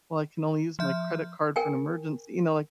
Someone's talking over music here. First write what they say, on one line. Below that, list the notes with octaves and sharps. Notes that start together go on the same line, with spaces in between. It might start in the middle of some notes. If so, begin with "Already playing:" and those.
"Well, I can only use my credit card for an emergency" you know, like
F3 E5 G6
A#4 G5 G#5